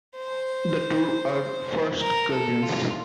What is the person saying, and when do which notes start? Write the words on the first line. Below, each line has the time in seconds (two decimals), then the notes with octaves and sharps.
The two are first cousins.
0.17 C5
2.01 A#4
2.32 A4
2.63 F4